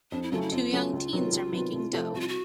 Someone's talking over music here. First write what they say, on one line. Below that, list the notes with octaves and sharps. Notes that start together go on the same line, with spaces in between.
Two young teens are making dough.
F2 D4
E4
C#3 F#3 A3 C#4 F4
E4
F2 F4
C#3 F#3 A3 C#4
C#2
C3 D#3 F#3 B3
C#2
C3 D#3 F#3 B3
C2
C3 F3 A3 C4
C2 F#4
F4
F#4